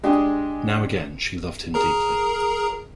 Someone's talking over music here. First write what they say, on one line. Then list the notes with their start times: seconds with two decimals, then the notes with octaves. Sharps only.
Now again she loved him deeply.
0.03 G#3 D4 G4 G#4
1.74 G#4 A#4 A#5